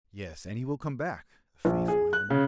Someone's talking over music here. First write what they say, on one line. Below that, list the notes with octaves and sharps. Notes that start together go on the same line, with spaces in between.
"Yes, and he will come back, the faithful animal!"
A#1
G#4
F#6
C#3